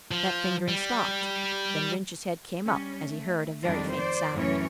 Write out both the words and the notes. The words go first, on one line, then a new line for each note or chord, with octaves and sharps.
That fingering stopped, then Rynch's head came up as he heard a very faint sound.
F3
G3
G3 C#4
A3
F2 D#3 G3 G#3 D4
C5 D5
F#2 A2 E3 A3 C#4 C#5